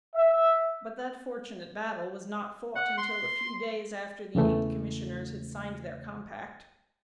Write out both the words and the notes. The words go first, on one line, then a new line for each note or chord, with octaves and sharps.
But that fortunate battle was not fought until a few days after the eight Commissioners had signed their compact.
E5
F#5
C6
E2 C#3 E3 A3